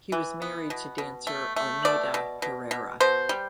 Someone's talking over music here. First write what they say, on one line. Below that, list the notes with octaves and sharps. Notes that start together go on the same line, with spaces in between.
He was married to dancer Armida Herrera.
E3
B3
B2
B2
A3
A3
B2 D5
B2
B2
B2
B2 C5
G3